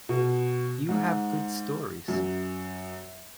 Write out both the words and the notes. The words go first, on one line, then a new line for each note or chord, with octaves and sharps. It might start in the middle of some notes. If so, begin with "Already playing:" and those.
You have good stories.
B2
G#2
F#2